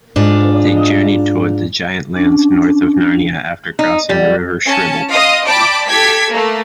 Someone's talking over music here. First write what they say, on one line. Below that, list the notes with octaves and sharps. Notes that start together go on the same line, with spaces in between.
They journey toward the giant-lands north of Narnia after crossing the River Shribble.
G#2 D4 F4
C#4 D4
D#4
G3
C#4 A5
D#5 F5 C6 D#6
D5 G5 A5 B5 D6
G4 A4 G#6 B6
A3 A#3